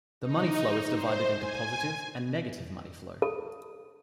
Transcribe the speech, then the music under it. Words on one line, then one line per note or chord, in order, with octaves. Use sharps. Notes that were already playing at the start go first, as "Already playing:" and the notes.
The money flow is divided into positive and negative money flow.
D#4
C5
G#5
A4